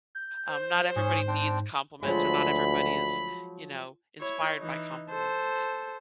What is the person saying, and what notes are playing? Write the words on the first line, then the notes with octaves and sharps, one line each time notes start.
um, not everybody needs compliments or not everybody is, you know, inspired by compliments,
G6
C5
G#2 C#4 G#4 C#5
C4 D4 G5
D2 F3 F#3 G#3 B5
E4 C#5
E3 D#4
A4 C5